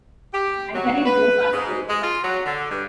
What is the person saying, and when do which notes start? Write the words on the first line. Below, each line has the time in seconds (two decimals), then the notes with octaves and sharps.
I carried no passports.
0.33 G4
0.74 F#3
1.06 B4
1.53 G#2
1.88 G#3
2.01 F4
2.22 F#3
2.45 D3
2.70 G2